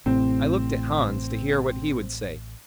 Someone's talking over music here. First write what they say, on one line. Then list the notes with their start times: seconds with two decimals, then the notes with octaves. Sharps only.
I looked at Hans, to hear what he would say.
0.06 A1 A2 C3 C4